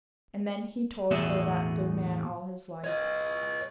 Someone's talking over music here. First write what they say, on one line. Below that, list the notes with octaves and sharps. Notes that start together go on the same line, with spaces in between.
And then he told there that good man all his life.
E2 A2 B3 F#4 G#4 E5
C#5 D#5